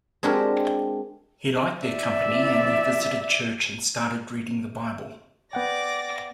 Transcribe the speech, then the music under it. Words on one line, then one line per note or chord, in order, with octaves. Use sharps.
He liked their company and he visited church and started reading the Bible.
G#3 C4 D4 F#4 G4 A#4
D5 E5
B3 D5 F#5 G5 D6 A#6